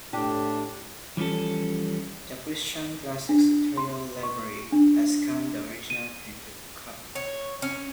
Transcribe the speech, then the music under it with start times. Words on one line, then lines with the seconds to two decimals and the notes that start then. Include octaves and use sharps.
The Christian Classics Ethereal Library has scanned the original printed copy.
0.13 A2 D4 G4
1.17 E3 F3 G3 C#4 A4
3.29 D4
3.77 C6
4.23 C#6
4.72 D4
5.90 D#7
7.15 C#5
7.62 C#4